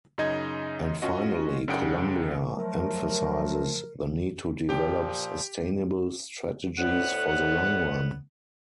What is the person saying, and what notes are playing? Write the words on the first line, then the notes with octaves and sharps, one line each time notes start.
And finally, Columbia emphasizes the need to develop sustainable strategies for the long run.
F#2 C#3 D#4 D#5 G#6
C#4 F4 F#4 D#5
F#2 C#3 D4 F#5 G5 D7
F3 F#3 A3 A#4
A#2 F3 G4 G5
D2 A2 B3 F#5